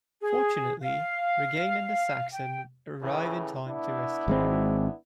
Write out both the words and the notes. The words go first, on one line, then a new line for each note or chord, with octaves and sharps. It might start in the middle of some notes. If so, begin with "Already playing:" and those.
Fortunately, Regeane and the Saxon arrive in time to rescue him.
G#4
F5
G5
A2 C#3 E3
B3 D4 E4
G#1 G#3 C4